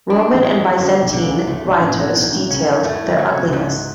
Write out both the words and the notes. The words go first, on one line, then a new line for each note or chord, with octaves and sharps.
Roman and Byzantine writers detailed their ugliness.
D4
A1 A2
G#3
F#2
F#2 D3
B1 B2
B2 D3
C#2 C#3
C#2 C#3 A3
B1 B2
A1 A2 F#3
B2
A1 A2
B1 G#2 B2
A1 A2
C#2 C#3 C#4
E2 E3 A3
D2 D3
F#3
C#3
B2
C#2 C#3
G#2